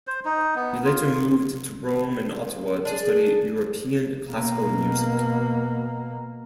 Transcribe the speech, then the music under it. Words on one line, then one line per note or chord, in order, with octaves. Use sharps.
He later moved to Rome and Ottawa to study European classical music.
C5
D#4
B3
F4
D4 G#4
B2 A#3